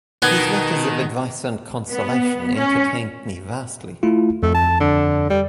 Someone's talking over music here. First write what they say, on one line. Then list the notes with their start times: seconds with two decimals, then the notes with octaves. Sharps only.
His letters of advice and consolation entertained me vastly.
0.22 B2 D#3 B3 F#6 G#6
1.91 B3
2.56 C#4
4.03 A3 E4 F4
4.43 F2 A3
4.54 A5
4.80 D3
5.30 G3